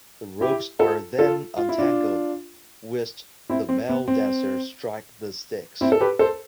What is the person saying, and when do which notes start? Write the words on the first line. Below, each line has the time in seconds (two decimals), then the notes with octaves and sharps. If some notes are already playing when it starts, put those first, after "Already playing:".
The ropes are then untangled whilst the male dancers strike the sticks.
0.41 E4 G4
0.80 F4 A4
1.19 F4 A4
1.57 F4
1.69 E4
1.78 D4 F4
3.50 C4 E4
3.69 C4
3.89 B3
4.08 C4
5.81 C4 E4
5.92 A4
6.01 G4 B4
6.19 A4 C5